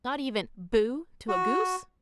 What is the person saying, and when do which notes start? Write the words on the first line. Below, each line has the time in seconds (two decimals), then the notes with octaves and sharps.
"Not even boo' to a goose?"
1.28 F#4